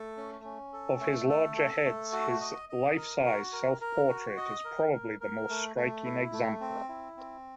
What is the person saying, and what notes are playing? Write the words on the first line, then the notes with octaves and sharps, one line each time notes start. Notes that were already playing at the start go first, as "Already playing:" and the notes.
Of his larger heads, his life-size self-portrait is probably the most striking example.
Already playing: A3 A4
C#4
C#4
A4
A3
A4
A4
A3
F#4
D#5
D#5
A#4
F#4
A#4
A#4
F#4
D#5
A#4
A#4
A#4
A3
A3
E4
A3
C4
E4
C4